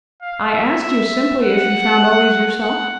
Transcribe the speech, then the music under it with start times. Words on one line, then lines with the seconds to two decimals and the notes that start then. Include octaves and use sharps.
'I asked you, simply, if you found all these yourself?'
0.22 F5
0.51 E5
0.82 E5
1.42 F#5
2.61 F#5